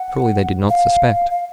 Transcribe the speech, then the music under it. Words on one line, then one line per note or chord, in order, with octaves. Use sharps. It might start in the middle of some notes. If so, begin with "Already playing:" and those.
Surely they did not suspect!
Already playing: F#5
F5
F5
F5